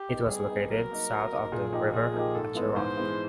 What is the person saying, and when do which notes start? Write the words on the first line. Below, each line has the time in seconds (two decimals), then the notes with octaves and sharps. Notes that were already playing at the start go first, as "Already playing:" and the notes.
It was located south of the river Acheron.
Already playing: G4
0.09 B3 D#4
0.28 G3 G#4
0.49 B3 D#4
0.70 F#3 A#4
0.91 A#3 D#4
1.11 F#3
1.32 A#3 D#4
1.52 A#2 G#4
1.73 F3 A#3 D#4 G4
1.93 A#2 G#4
2.14 F3 A#3 D#4 G4
2.35 G#2 A4
2.55 E3 G#3 B3
2.76 G#2 C5
2.97 E3 G#3 B3